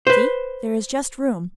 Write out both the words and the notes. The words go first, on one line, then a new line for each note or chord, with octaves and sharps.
"See! there is just room."
B4 C5